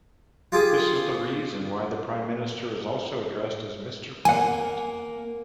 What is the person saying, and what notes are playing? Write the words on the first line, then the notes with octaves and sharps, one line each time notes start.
This is the reason why the prime minister is also addressed as "Mister President".
F4 G4 G#4
A#3 F#5 G#5